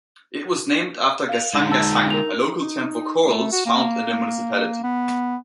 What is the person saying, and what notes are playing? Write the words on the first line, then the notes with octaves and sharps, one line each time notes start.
It was named after "gasang-gasang", a local term for corals found in the municipality.
F5 F7
D3 G#3 D#4
A5 E6 A6
A#4 F7
D#4
A3
F#4
A#3
B3